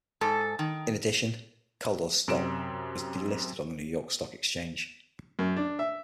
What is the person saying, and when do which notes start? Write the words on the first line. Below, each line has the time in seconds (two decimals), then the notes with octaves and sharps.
In addition, Caldor's stock was delisted on the New York Stock Exchange.
0.21 G#2 A4
0.59 D#3
2.28 F#2 C3 D7 E7
5.39 F#2
5.56 D4
5.79 E5